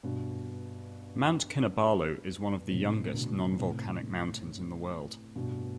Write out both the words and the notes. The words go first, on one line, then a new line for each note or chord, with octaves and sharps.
Mount Kinabalu is one of the youngest non-volcanic mountains in the world.
G2 B2
A2 C3
B2 D3
A2 C3
G2 B2